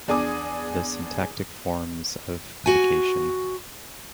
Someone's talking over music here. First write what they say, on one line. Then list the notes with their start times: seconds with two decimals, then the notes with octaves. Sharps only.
The Syntactic Forms of Predication.
0.08 E2 D4 G#4 G#5 D6 D#6
2.66 F#4 G#5